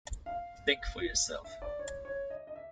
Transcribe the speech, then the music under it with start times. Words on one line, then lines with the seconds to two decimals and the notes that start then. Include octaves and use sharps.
Think for yourself.
0.26 F5
1.44 E5
1.62 D5
1.79 C#5
2.05 C#5
2.30 D#5
2.47 D#5
2.56 E5